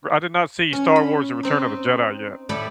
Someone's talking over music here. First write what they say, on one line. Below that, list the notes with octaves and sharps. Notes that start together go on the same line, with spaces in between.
R I did not see Star Wars and Return of the Jedi yet,
C#4
B5
C4 D#4
A2 G3 A3 D5 B5